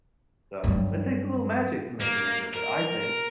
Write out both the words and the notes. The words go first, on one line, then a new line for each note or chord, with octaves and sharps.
So, it takes a little magic to make a neighborhood, I think,
G2 F#3
A#3
A#4